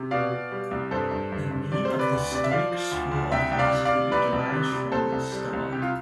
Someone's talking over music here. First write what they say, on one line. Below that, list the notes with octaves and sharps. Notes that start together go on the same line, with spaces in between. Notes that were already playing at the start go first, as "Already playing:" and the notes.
The name of the Stoic school of philosophy derives from "stoa".
Already playing: C3
B2 D5 F5
B2
G3
C2
G2 A4 C5
G2
G2
G2
C3 D5
C5
C3
B4 D5
D2
C3 D5
E5
F3 D5 F5
F3
D2
D2
C2 E5 G5
C2 G5
D5 F5
C3
D5 F5
C3
C2 B4 D5
C2
C3
C3
C2 A4 C5
C2
G3
C2
C3 G4
F4